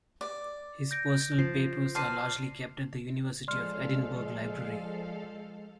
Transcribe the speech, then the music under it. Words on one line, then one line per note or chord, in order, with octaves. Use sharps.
His personal papers are largely kept at the University of Edinburgh library.
D5
G6 A#6 D7
F3 C7
C5 D5 A5 F6 C7 D#7
F3 G#3 A4 D5 F5 C6 F6